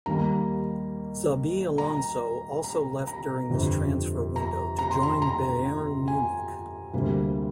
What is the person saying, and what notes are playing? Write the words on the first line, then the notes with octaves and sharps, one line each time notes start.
Xabi Alonso also left during this transfer window to join Bayern Munich.
D#2 D#3 G3 A#3 A#5
A#5
A#5
A#5
G1 F2 C3
A#5
A#5
C6
A#5
A#5
G#5
D2 C3 G3 A#3